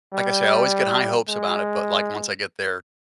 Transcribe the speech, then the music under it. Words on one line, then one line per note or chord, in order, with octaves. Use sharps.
like I say, I always get high hopes about it, but, like, once I get there,
G3
G#3